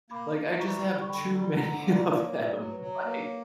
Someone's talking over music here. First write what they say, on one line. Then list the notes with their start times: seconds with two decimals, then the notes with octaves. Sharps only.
like, I just have too many of them, like
0.10 A#3 B5 D6
0.36 E3
0.60 G3 A#5 C#6
0.84 G3
1.01 C#6
1.09 D3 G5 B5
1.34 G3
1.57 D3 F#5 A#5
1.82 A#3
1.90 D5 F#5
2.06 A#3 B4 D5
2.23 C#5
2.32 F#3
2.39 B4 D5
2.56 F#3
2.72 B4
2.80 F#3
2.88 C#5
3.05 A#3 B4
3.21 C#5